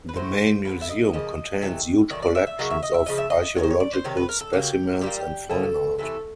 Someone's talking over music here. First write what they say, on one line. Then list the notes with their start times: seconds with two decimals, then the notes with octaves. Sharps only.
The main museum contains huge collections of archaeological specimens and fine art.
0.09 B4
0.16 A2 F#3 A3 C5
0.65 D3 F3 A#3 B4
0.81 E5
0.89 D#5
1.13 C#3 F3 A#3 D#5
1.62 C3 E3 A3
2.10 D#3 F#3 A3 D5
2.22 D5
2.35 E5
2.47 E5
2.59 C#3 F#3 A#3 D#5
2.70 E5
2.83 D#5
2.94 E5
3.06 C#3 F3 D#5
3.18 E5
3.30 D#5
3.56 D#3 G#3 C#5
3.63 C5
3.70 C#5
3.80 D5
3.93 C5
4.04 C3 D#3 C#5
4.17 B4
4.29 A#4
4.41 A4
4.53 C#3 F#3 A#3 G4
5.01 A#2 G3 A#3 G4
5.50 C#3 F3 A#3 A4
5.98 C3 E3 A3 A4